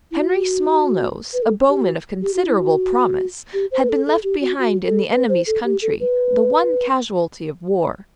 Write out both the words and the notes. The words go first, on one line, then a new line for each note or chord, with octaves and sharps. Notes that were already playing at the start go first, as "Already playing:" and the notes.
Henry Smallnose, a bowman of considerable promise, had been left behind in the enemy's country, the one casualty of war.
E4
F#4
B4
A4
G4
F#4
G4
F#4
E4
F#4
G4
C5
B4
A4
A4
G4
F#4
F#4
A4
B4
C5
A4
G4
A4
B4